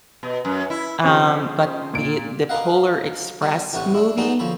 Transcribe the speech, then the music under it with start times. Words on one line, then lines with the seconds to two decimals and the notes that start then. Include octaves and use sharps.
um, but the the Polar Express movie.
0.23 B2
0.45 F#2
0.70 E4
1.04 C#3 F3 C4 C#4 G#4 C5
1.94 A#2 D7
2.49 A#4 B4 D#5 F5 F#5
3.42 G3 B3 D4
3.73 A1 C3 B3 C#5 F#5
3.94 D4 E4
4.18 F#3 G3 B3 D4 D#4 G#4
4.39 D2 F3 C4 C#5 B5